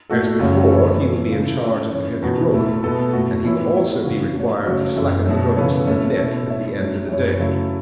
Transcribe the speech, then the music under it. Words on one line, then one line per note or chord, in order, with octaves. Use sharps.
As before, he will be in charge of the heavy roller, and he will also be required to slacken the ropes of the net at the end of the day.
A2 A3 F#4 A4
F#2 C#3 A3 C#4 F#4
E3 A3 E4 C#5
E3 C#4 A4
C#3 A3 E4 A4
A3 C#4 A4 E5
E3 C#4 E4 C#5
E2 B2 B3 F#4
A2 A3 E4
B2 B3 A4
A2 A3 F#4
A2 E3 B3 E4 C#5
A3 E4 C#5
C#3 E3 B3 F#4
A3 F#4 C#5
C#3 F#3 A3 C#4 F#4
F#2 E3 B3 A4 E5
B2 F#3 A3
C#3 E3 B3 A4 C#5
A3 C#4 A4 E5
B2 B3 E4 A4 C#5
A3 E4 C#5 E5
F#3 A3 C#4
F#2 F#3 C#4 E4 C#5
C#3 F#3 A3 E4